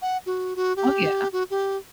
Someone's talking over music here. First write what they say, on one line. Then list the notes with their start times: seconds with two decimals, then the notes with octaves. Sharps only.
Oh, yeah.
0.02 F#5
0.26 F#4
0.56 F#4
0.76 G4
1.32 F#4
1.50 G4